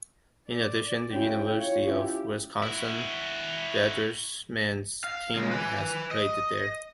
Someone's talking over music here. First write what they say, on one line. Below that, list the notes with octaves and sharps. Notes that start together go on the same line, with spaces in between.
In addition, the University of Wisconsin Badgers men's team has played there.
D5
C#3 C#4 E4 F#4 G5
F4 C#5
C#4 E4 G4
E4 F#4
F5
C#3 G#3
B4 G#5
D#5